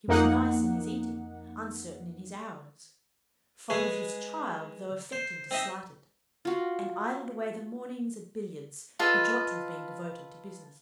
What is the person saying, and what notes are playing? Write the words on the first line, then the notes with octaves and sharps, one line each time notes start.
He was nice in his eating, uncertain in his hours; fond of his child, though affecting to slight it; and idled away the mornings at billiards, which ought to have been devoted to business.
F2 A#3 D#4 F#5
G#3 G#4 B4 C#5
C5
C4 D#4 D#5 E5
F4 F#4
F4 A4 B4 D#5